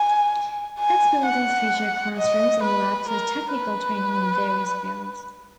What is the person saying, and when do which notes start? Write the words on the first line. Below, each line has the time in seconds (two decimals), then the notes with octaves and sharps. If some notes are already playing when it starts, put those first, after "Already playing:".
Its buildings feature classrooms and labs for technical training in various fields.
Already playing: G#5
0.79 G#5
1.26 F#5
2.17 D#5
2.63 B4
3.09 A#4
3.55 B4